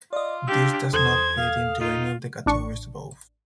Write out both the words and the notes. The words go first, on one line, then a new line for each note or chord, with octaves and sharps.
This does not fit into any of the categories above.
F4 D5 D#5
D4 G4 E6
E2 A4 C5 D#6 G#6
F5
D#4 F4
A1 D4 C#6